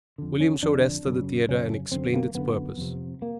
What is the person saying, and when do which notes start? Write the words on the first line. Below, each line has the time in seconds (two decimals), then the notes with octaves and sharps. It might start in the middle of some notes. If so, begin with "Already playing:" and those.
William showed Esther the theatre and explained its purpose.
0.18 F2 D3
0.40 C#4
0.62 F2 D3 D4
1.06 F#2 C#3
1.49 F#2 C#3 C#4
1.92 F#2 D3 C4
2.14 A#3
2.34 F#2 D3 B3
2.78 F2 C3
3.22 A#3